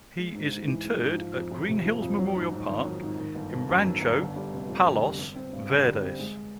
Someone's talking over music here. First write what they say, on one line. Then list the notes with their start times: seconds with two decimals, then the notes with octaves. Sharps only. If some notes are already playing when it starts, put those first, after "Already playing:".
He is interred at Green Hills Memorial Park in Rancho Palos Verdes.
0.18 G#3
0.35 G#2
0.52 G#2
0.68 E3
0.85 G#3
1.01 G#2
1.18 F3
1.35 F2
1.52 F2
1.68 C3
1.85 F3
2.02 F2
2.18 F#3
2.36 G#2
2.52 G#2
2.69 D#3
2.85 F#3
3.03 G#2
3.19 D#3
3.35 G1
3.52 G1
3.69 F#2
3.86 D#3
4.02 G1
4.19 D3
4.36 G3
4.52 F1
4.70 F2
4.86 D3
5.03 G3
5.19 G3
5.36 C4
5.53 G2
5.69 D3
5.86 G3
6.02 C4
6.19 G#3